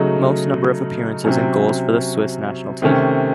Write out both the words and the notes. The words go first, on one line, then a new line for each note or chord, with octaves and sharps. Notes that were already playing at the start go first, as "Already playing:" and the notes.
Most number of appearances and goals for the Swiss national team.
Already playing: C#3 F#3 A3 D#4
C3 F#3 C#4
C3 D#3 A3 C#4